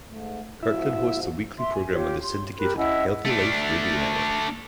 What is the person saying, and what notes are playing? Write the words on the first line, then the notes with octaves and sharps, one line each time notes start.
Kirkland hosts a weekly program on the syndicated HealthyLife Radio Network.
G#2 A3
G#2 B2 F3 E4 E5
E5 C6
G#5
F4 G4 C#5
C6
G4 A#4 B5 F#6
C#4 E4 D#5 F#5
A3 D4